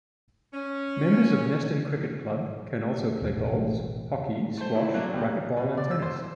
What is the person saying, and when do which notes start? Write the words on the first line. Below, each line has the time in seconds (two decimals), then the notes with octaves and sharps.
Members of Neston Cricket Club can also play bowls, hockey, squash, racketball and tennis.
0.53 C#4
3.22 E1 A1
4.57 A3 C5
4.74 A#2 E4
4.94 F#3 A#3 D4
5.13 D2 B3 G4
5.57 B2
5.77 D5
5.91 E6
6.02 C5
6.16 E6